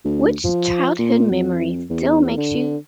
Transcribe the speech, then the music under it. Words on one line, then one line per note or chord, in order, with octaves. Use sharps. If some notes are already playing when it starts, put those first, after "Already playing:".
Which childhood memory still makes you
D2
F3
A#2
F2
E2
D3